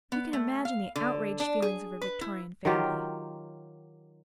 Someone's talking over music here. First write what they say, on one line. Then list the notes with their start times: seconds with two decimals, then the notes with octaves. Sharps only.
You can imagine the outraged feelings of her Victorian family.
0.12 B3
0.33 A3
0.65 F5
0.96 D3
1.40 D4
1.62 G#4
2.01 B4
2.21 E4
2.65 D#3 F#3 F4 G4